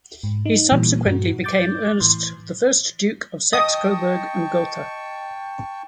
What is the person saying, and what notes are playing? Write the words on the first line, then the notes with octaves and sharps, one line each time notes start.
He subsequently became "Ernest the First, Duke of Saxe-Coburg and Gotha".
G#2
D#4
A#2 E3 G3
G2 F#4
D6 G6 A6
A2 E3 C6
D#5 G5 A5 C#6 D#6